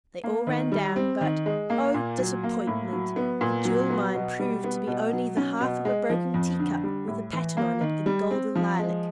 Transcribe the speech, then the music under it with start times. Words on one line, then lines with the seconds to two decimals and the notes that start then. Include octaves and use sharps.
They all ran down, but--oh, disappointment!--the jewel-mine proved to be only the half of a broken teacup with a pattern on it in gold and lilac.
0.24 A#3
0.47 D#3
0.72 G3
0.96 C4
1.21 D#3
1.46 G#3
1.70 A#3
1.94 A#2
2.18 F#3
2.44 A#3
2.67 A2
2.93 F#3
3.16 B3
3.41 A#2
3.65 F#3
3.90 B3
4.15 B2
4.39 G3
4.64 B3
4.87 B2
5.13 F#3
5.37 C#4
5.61 B2
5.85 G#3
6.10 F3
6.34 F2
6.59 D3
6.84 G3
7.07 A2
7.33 E3
7.57 A#3
7.81 D#3
8.06 G3
8.31 C4
8.55 F3
8.79 G#3